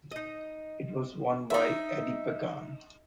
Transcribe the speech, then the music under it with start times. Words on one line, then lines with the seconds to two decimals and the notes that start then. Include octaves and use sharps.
It was won by Eddie Pagan.
0.11 D#4 D#5
1.50 D#4 E5